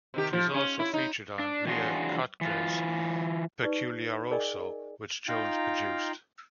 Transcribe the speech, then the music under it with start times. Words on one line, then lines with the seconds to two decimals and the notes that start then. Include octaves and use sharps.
She is also featured on Leo Kottke's "Peculiaroso," which Jones produced.
0.14 C3 D#3 G4
0.33 F3
0.54 C#4
0.79 E4
0.94 D#4
1.39 D4
1.67 E3 F#3 D4 F4 F#4 G#4
2.41 E3 F4
3.63 D#4 G4 B4 D5
4.31 G#4 A#4 D5 D#5 G5 G#5
5.28 D#4 F4 F5 G5 A#5